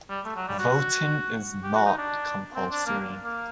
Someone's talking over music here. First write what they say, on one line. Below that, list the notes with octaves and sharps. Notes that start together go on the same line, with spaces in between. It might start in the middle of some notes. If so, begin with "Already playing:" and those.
Voting is not compulsory.
G3
A3
F#3
G3
F#4
G4
F#4
D#4
D4
C4
D4
A#3
A#3